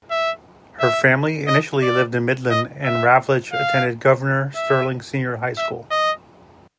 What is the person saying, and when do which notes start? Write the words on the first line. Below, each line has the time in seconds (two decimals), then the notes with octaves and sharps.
Her family initially lived in Midland, and Ravlich attended Governor Stirling Senior High School.
0.11 E5
0.80 E5
1.47 D#5
1.82 D5
2.50 D#5
2.84 E5
3.52 F5
4.56 E5
5.57 E5
5.91 D#5